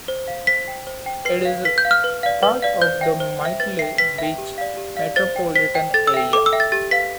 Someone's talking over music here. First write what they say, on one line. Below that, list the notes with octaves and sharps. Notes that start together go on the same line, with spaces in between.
It is part of the Myrtle Beach metropolitan area.
C5
F5
C5 B6
G5
C5
G5
B4 C7
F5
B4 B6
G6
F5
F6
B4
D5 F5
B4
D5 F5
C5 G6
E5 G5
C5
E5 G5
B4 A6
E5 G5 C7
B4 B6
E5 G5
G4
D5 F5
G4
D5 F5
C5 A6
G5
C5 B6
G5
A4 A6
E6
E5 G5
A4 D6
E6
E5 G5
A6
G4 A6
B4 F5 B6